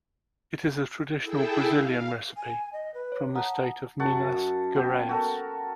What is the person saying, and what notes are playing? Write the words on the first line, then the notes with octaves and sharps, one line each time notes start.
It is a traditional Brazilian recipe, from the state of Minas Gerais.
E4 G#4 A4 E5 G5
F5
G#5
D#5
B4
C#5
F#5 A5 A#5 D#6
F#2 F#5 A5 C#6
B3 G5
F#4 A4 A#4